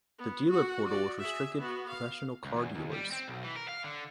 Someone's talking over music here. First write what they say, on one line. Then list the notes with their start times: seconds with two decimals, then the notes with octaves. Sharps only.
The dealer portal is restricted to professional car dealers.
0.18 B3
0.50 F#4 F#5
0.86 F#4 D5
1.19 G#4 E5
1.59 B3 F#4
1.89 F5
2.45 C#2
2.56 E2
2.75 D#2
2.91 G3
3.12 C4
3.28 B1
3.44 E3
3.56 A#4
3.68 F5
3.84 D3